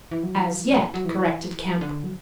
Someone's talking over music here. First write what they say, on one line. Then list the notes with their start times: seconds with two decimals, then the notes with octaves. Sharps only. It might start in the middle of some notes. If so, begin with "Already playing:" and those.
"As yet," corrected Kemp.
0.11 E3
0.23 F#3
0.35 E3
0.48 F#3
0.59 E3
0.70 F#3
0.82 E3
0.94 F#3
1.05 E3
1.81 D3
2.04 F#3